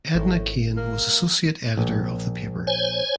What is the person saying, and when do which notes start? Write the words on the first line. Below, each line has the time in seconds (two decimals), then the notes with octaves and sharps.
Edna Cain was associate editor of the paper.
0.15 G#1 A2
0.77 A#3
1.77 A#1
2.67 C5 C#5 G#5